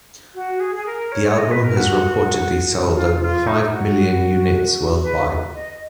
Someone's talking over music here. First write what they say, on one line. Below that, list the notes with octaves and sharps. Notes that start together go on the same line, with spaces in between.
The album has reportedly sold over five million units worldwide.
F#4
G#4
G#4
A#4
C#5
C#5
D#5
B4
A#4
F#4
F4
F4
D#4
F#4
B4
D#5